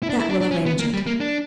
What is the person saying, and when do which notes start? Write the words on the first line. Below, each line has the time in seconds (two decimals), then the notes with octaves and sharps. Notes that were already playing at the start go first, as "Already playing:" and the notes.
"That will arrange it."
0.03 E4
0.09 D4
0.20 E4
0.30 D4
0.41 D4
0.51 C#4
0.66 B3
0.80 A#3
0.94 G3
1.07 A#3
1.21 D4